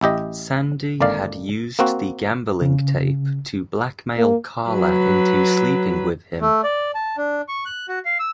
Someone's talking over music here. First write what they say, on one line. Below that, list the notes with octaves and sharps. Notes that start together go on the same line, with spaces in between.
Sandy had used the gambling tape to blackmail Carla into sleeping with him.
A1 E4 G4 D#5
G#1 D3 A#3 D5 F5
A#3 C4 F#4
C#3
A#3
F#3 B4
A3
D5
A5
D4
C#6
F#6
F#4
F5
E6